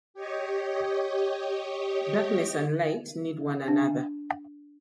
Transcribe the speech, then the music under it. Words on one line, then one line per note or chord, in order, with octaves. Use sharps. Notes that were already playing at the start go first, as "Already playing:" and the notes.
Darkness and light need one another.
G4 C#5 D#5
D4